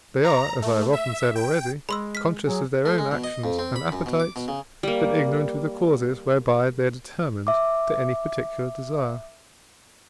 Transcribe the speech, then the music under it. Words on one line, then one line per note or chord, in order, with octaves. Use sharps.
They are, as I have often said already, conscious of their own actions and appetites, but ignorant of the causes whereby they are determined to any particular desire.
A#5
A3
E5
G5
G#3 B5 C6 E6
F6 B6
F#3 G#4 G#5
A3
G#3
B2
D#5
F2
C4
B5
F#2
B2
D6
B2
C#3
G3 A#3
E5 D6